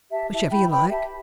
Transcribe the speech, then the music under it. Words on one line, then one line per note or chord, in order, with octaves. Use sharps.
"Whichever you like."
G4 E5 A5
E4 E5 A5
E4 G5 B5
B4 G5 B5
G4 E5 A5